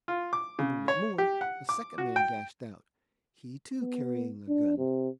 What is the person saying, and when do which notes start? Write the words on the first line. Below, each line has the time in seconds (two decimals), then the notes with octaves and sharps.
A moment more a second man dashed out, he too carrying a gun.
0.08 F4
0.33 D6
0.59 C#3
0.88 C#5
1.18 G4
1.41 F#5
1.69 D6
1.98 F#4
2.16 G5
3.81 B3
4.48 D4
4.78 C3